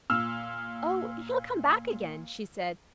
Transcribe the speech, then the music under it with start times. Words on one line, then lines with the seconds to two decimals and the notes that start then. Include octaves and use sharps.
"Oh, he'll come back again!" she said.
0.10 A#2 E6 F6